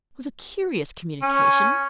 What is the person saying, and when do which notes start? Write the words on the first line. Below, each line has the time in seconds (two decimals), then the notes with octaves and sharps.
It was a curious communication.
1.22 C#4